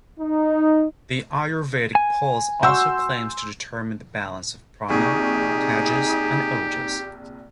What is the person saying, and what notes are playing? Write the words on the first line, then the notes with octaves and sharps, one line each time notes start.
The ayurvedic pulse also claims to determine the balance of prana, tejas, and ojas.
D#4
G#5
F#4 C6 E6 G6
A#1 C3 D#4 G4 G#4 C#6